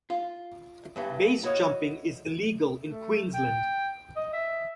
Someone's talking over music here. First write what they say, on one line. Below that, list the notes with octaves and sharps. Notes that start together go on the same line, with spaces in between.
Base-jumping is illegal in Queensland.
F4
E2 G2 E3
E4 F#4 C#5 D#5 F5
A3
G5
D#5
E5